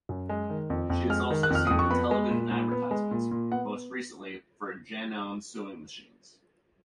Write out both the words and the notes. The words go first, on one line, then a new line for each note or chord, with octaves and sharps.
She is also seen in television advertisements, most recently for Janome sewing machines.
F#2
G#3
D#3
F2
F2
G#3 F6
D#3
F#6
F2 F6
F2 D#6
C#6
B3 B5
G#3
A#2
A#2
B3
G#3
A#2
A#2
B3 F#5